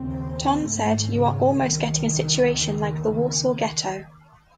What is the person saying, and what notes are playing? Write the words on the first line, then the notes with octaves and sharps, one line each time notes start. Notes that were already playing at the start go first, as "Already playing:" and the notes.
Tonge said You are almost getting a situation like the Warsaw ghetto.
Already playing: D#2 C#3 C4
G#1 G#2 A3
C#3
C2 C3 D#3
D#2 C#3
D#3